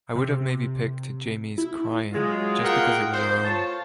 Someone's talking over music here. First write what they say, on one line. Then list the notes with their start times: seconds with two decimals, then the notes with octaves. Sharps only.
I would have maybe picked Jamie's Cryin, just because it was our own.
0.15 C3
1.58 E4
2.13 F#3 G#3 F4
2.63 A#3 F4 G#4 A#4 F#5 G5
3.13 C5
3.44 A2 F4 C#5 A5